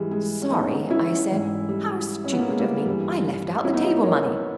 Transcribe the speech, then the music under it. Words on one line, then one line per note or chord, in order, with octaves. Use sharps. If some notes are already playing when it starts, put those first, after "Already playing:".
"Sorry," I said, "how stupid of me; I left out the table-money."
Already playing: G#2 E3 G3 G#3
G#3
C#4
B3 D#4
C#4 E4
G#2 E3
G3
C#4
B3
A#3
G#3
G3 A#3
G2 E3 G3
C#4 E4
B3 D#4
D#4 G4
A#4 C#5